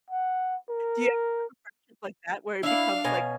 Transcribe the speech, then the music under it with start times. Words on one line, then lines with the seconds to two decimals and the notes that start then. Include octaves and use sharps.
Do you have some friendship like that, where it becomes, like,
0.10 F#5
0.69 A#4
2.63 D4 E4 F5
3.04 B2 C#4 G#5